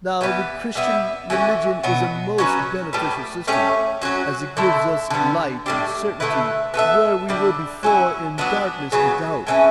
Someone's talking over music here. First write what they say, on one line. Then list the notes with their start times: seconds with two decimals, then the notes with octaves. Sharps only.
Now the Christian religion is a most beneficial system, as it gives us light and certainty where we were before in darkness and doubt.
0.21 E3 G3 B3
0.75 G3 B3 E4
1.30 E3 A3 C#4 F#4
1.83 B2 F#3 B3
2.38 F#3 C#4 F#4 B4
2.93 A2 G3 B3
3.47 A3 C#4 G4 C#5
4.02 F#3 C#4 F#4
4.57 D3 A3 E4 A4
5.10 D3 G3 B3
5.66 A2 G3 D4 G4
6.20 D3 A3 E4 B4
6.74 B3 F#4 A4 E5
7.29 D3 G3 D4
7.83 F#3 C#4 E4
8.38 F#3 B3 D4
8.92 C#3 F#3 B3
9.47 A2 E3 A3 C#4